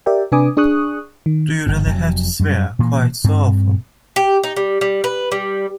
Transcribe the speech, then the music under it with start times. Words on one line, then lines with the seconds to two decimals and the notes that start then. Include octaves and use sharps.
Do you really have to swear quite so often?
0.06 G4 A#4 D5 E5 G5
0.32 C3 D4 B4 G#5 D6 D#6
0.57 D4 G#4 C#6 D#6 F#6
1.26 D#3
1.66 G1 G#2
1.86 F1 F#3
2.39 F#2 G3
2.79 A#2 E3 A#3
3.24 G2 C4
4.16 G4
4.43 D#4
4.56 G3
4.81 G3
5.04 B4
5.32 G3